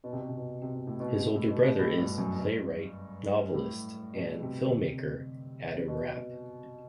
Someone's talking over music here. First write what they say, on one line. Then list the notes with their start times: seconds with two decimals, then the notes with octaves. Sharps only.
His older brother is playwright, novelist, and filmmaker Adam Rapp.
0.04 B2
0.13 C3
0.21 B2
0.29 C3
0.37 B2
0.62 C3
0.75 B2
0.87 A2
1.00 B2
1.20 A2
1.36 A2
1.50 B2
1.64 B2
1.79 A2
1.98 G2
2.18 F#2
2.38 G2
3.54 A2
4.13 B2
4.42 C3
4.64 D3
4.72 C3
5.88 B2